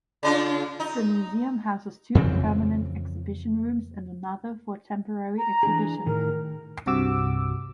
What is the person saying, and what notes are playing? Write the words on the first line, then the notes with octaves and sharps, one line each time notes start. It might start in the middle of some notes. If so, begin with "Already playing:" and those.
The museum houses two permanent exhibition rooms and another for temporary exhibitions.
C#3 D4 F4
D#4
F2 C#3 E3 C4
A#5
E3 D4 G#4
A2 D#3 A#4
C2 G2 C3 F#4 D6 E6